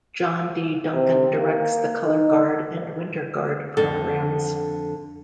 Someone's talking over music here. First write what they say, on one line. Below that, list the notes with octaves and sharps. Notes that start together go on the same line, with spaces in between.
John D. Duncan directs the color guard and winter guard programs.
C3
A#3
D#4
F2 D3 D4 A4